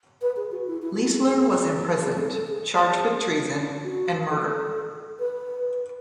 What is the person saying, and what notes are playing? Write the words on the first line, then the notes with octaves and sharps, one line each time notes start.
Leisler was imprisoned, charged with treason and murder.
B4
G#4
F#4
E4
E4
F#4
G#4
G#4
A4
A4
G#4
F#4
A4
B4